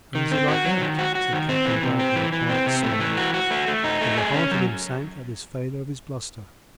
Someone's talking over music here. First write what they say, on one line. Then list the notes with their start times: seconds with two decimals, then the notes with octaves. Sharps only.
"And is it like that?" said Captain Blood with a quiet smile, though the heart of him sank at this failure of his bluster.
0.15 D#3
0.32 C4
0.48 F#4
0.65 F#3
0.82 D#3
0.99 F#4
1.15 F#4
1.33 D#3
1.49 C4
1.66 E3
1.83 C3
1.99 C4
2.16 E3
2.32 E3
2.50 C4
2.66 C3
2.83 A3
3.00 E3
3.17 F#4
3.34 F#4
3.51 A3
3.68 A3
3.84 D#4
4.01 A3
4.17 G#4
4.34 C#4
4.51 F#3